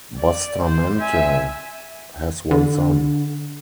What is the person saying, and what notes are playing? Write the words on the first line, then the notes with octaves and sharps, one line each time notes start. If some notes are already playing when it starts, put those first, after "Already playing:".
Bustamante has one son.
D5
C5
E5 G#5
D3